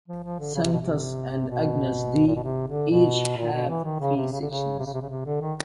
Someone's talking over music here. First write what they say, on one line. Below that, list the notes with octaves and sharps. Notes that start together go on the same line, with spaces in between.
Sanctus and Agnus Dei each have three sections.
F3
F3
D3
C#3
C3
B2
C3
B2
A#2
B2
C3
D3
B2
A#2
B2
E3
D#3
C#3
C3
C#3
D3
C#3
C3
C#3
C3
C#3
C3
D3
D#3